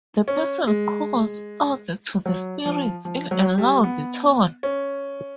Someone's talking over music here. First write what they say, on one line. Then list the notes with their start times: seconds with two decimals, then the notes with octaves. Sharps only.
The person calls out to the spirits in a loud tone.
0.28 C#4
0.67 G#3
2.26 F#3
2.65 F3
3.05 F3
3.31 F#3
3.58 G3
3.84 B3
4.63 C#4